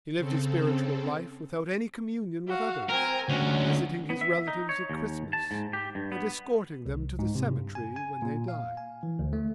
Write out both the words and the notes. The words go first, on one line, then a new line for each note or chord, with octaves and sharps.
He lived his spiritual life without any communion with others, visiting his relatives at Christmas and escorting them to the cemetery when they died.
C#3 C4 A4
F#4 F5
C4 A#4 G#5
D2 C#4 F#4
B3
E5
D#4
C#5
D#2
A5
G#2
G4
G2
B3
C2
G#2
C3
G2
G#5
G#5
A#2
F5
G#5
E3
D2
A3